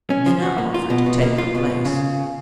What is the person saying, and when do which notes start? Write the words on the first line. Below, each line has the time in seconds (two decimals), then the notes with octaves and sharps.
Minna offered to take her place.
0.10 C#4
0.26 F3
0.42 F#4
0.58 A#3
0.74 F4
0.90 B2
1.06 B2
1.22 A#3
1.38 F4
1.55 B2
1.70 B2
1.85 C#3